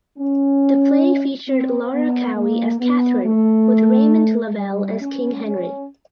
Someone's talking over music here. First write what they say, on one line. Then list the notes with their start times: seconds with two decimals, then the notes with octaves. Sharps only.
The play featured Laura Cowie as Catherine with Raymond Lovell as King Henry.
0.18 C#4
1.48 C4
1.92 B3
2.36 A#3
2.80 B3
3.25 A3
4.56 G3
5.00 C#4
5.44 C#4